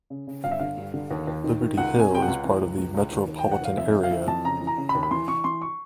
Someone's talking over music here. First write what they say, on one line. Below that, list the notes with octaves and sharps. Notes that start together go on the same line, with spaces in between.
Liberty Hill is part of the metropolitan area.
C#3
C#3
G1 F5
E5
D3 F5
G2
D3
D#2
D#2
D#3
D#3
C#2 F#5
C3
G#5
C3 G5
F#5
C#2
E3
C#2
C#2
C#2
D#2
D#2
G5
D#2
F#5
D#2 F5
F2 E5
C#3 E5
F5
E3 E5
F2 A5
C#3 A#5
E3
A#5
C#3
B5
D#2
B5
E3 C6
E3 C#6
E3 C6
C#6